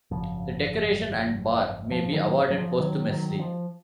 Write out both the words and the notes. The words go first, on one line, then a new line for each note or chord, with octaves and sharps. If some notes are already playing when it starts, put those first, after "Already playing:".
The decoration and bar may be awarded posthumously.
G#1 F#2 C#3 F3
F3
D#3 F#3
F#3
F3
D#3 F#3
D#3 F#3
F3